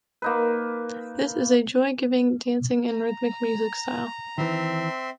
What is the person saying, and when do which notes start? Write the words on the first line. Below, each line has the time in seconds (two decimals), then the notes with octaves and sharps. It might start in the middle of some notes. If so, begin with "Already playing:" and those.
This is a joy-giving, dancing and rhythmic music style.
0.22 A#3 D#4 B4
2.90 A#5
4.38 D#3 E3 C4 E5 C6